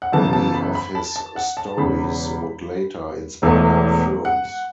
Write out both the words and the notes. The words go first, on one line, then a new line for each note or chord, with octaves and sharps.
Many of his stories would later inspire films.
F#5
F#1 F#2 C#3 E3 B3 A5
A5
B5
B5
A5
A5
F#5
A5
E1 E2 C#3 B5
E1 E2 E3 A3
F#5